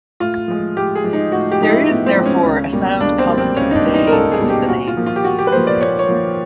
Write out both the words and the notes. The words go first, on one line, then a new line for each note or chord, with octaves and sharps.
There is, therefore, a sound common to the day and the names.
A2 F4
F3 G#3
A2 G4
G#4
F3 G#3
D#4
A2 F#4
G4
F3 G#3 D#4
E4
A2 B3
C4
F3 G#3
C#4
C#2
B2 G3 A#3
C#2 D4
C4
B2 G3 A#3
C4
C#2 C#4
D#4
D4
B2 G3 A#3
D#4
A#4
C#2 A4
G#4
B2 G3 A#3
G4
A#2 F#4
F4
F3 A#3
F4
G4
A#2 F#4
G4
B4
F3 A#3 C5
D5
A#2 C#5
C#5
F3 A#3